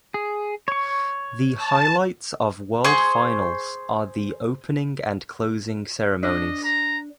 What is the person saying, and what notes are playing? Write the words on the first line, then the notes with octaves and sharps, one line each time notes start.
The highlights of World Finals are the opening and closing ceremonies.
G#4
C#5 C#6
A5
G#4 C5 C6 C#6
D4 D#5
A#5